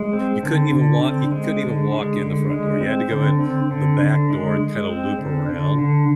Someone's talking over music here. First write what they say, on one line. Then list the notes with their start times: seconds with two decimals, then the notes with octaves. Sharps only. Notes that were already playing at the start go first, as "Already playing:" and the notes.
You couldn't even walk you couldn't even walk in the front door, you had to go in the back door and, kinda loop around
Already playing: G#3
0.13 C4
0.43 D3
0.73 D3
1.03 C4
1.32 G#3
1.63 D3
1.92 G#3
2.22 D3
2.51 G#3
2.81 C4
3.10 D3
3.41 C4
3.71 D3
4.01 D3
4.30 G#3
4.59 G#3
4.90 C4
5.19 D3
5.49 D3
5.79 D3